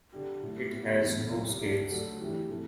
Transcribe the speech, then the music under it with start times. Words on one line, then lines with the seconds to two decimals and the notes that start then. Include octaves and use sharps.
It has no scales.
0.12 D3 G3 D4 G4
0.42 A2 F#3 A3
0.71 A2 G3 B3
1.01 E2 D3 F#3
1.30 C2 C3 F#3
1.60 D2 D3 G3 D4 F#4
1.90 D3 F#3 A3 D4 F#4
2.20 G2 E3 A3 E4 G4
2.49 C3 E3 A3